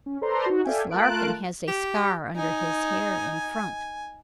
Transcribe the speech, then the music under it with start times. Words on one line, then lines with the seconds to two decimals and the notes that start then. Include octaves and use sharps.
This Larkin has a scar under his hair in front.
0.06 C#4
0.21 A4 B4 C5 D5 A#5 C6
0.46 D#4 F#4
0.65 A4 D5 E5 F5 G5 G#5
0.91 A3 F4 A#4 A5 F#6 D7
1.68 G4
2.37 D#4 G#5